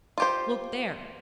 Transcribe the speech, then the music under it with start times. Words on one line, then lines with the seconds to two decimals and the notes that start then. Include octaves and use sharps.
Look there!
0.18 F4 G4 C5